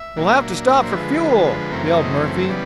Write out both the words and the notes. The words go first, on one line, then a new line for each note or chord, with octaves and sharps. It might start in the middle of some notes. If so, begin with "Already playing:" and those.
"We'll have to stop for fuel," yelled Murphy.
Already playing: E5
A#2 F#3 A#3 D4
C5
D3 F3 G#3 B4
F#2 C#3 E3 A3 C4 A#4
D#5
C#3 E3 G3 B3 D5